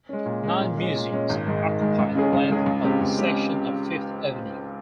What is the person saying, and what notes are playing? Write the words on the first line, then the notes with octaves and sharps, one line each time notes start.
Nine museums occupy the length of this section of Fifth Avenue.
G#3 C#4
A#2
G#3 C#4
A#2
G#3 C#4
A#2
G#3 C#4
G#1
G#2 D#3 G#3
G#1
G#2 D#3 G#3
C#2
C#3 G#3 C#4 G#4
C#2
C#3 G#3 C#4 G#4
C#2
C#3 G#3 C4 G4
C#2
C#3 G#3 C4 G4